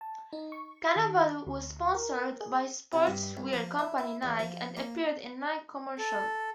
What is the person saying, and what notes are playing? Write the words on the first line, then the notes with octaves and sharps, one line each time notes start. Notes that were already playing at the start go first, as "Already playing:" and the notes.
Cannavaro was sponsored by sportswear company Nike and appeared in Nike commercials.
A5
D#4
C#6
D#3
D2
A#4
G#4
C3
G2
C2
F3
E4
E4
E2
F3
A#3
A4